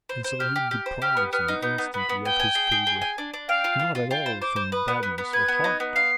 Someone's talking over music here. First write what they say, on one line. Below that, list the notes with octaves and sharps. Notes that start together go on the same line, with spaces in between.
And so he deprives me instantly of his favor, and not at all from badness of heart.
C5
C5
G4 F6
G4
G4
C5
G4 F6
B3
B3 F6
D#4
B3 G6
B3
B3 B5
B3
G5 G#5
G#5
G#4
G#4
G#4
G#5
D4
D4
F5 G5
F4
F4
F4
F4 G5
C5
C5 D6
C5
B4 D#6
B3
B3
B3
B4 G#6
B3
D#4
B3
F5 C7